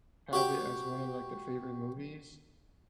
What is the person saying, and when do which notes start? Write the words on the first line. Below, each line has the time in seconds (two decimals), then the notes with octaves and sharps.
have it as one of, like, their favorite movies,
0.33 F#4 G4 G5